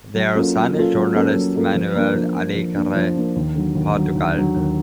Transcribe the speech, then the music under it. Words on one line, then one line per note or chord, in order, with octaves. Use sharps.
Their son is journalist Manuel Alegre Portugal.
F#3
A#3 C#4 F4 A4
F#3
A#3 C#4 F4 A4
F#3
A#3 C#4 F4 A4
F#3
A#3 C#4 F4 A4
F3
A#3 D4
F3
A#3 D4
F3
A#3 D4
F3
A#3 D4
D#2
D3 F#3
D#2
D3 F#3
D#2
D3 F#3
D#2